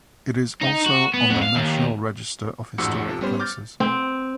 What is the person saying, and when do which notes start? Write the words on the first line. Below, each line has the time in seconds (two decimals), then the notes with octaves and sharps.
It is also on the National Register of Historic Places.
0.62 D#4
0.86 F#4
1.14 B3
1.30 F2 F#4
1.42 F5
1.56 D#2
2.78 A1 F2 G#2 F#4 E6 C#7
3.08 C3 F3 A4
3.21 G3 B3 C#4 C5
3.40 D6 F6 G6 A6
3.80 C4